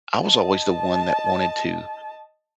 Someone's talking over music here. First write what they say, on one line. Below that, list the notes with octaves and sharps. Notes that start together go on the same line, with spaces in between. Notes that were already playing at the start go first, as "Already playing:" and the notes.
I was always the one that wanted to
D#5 A5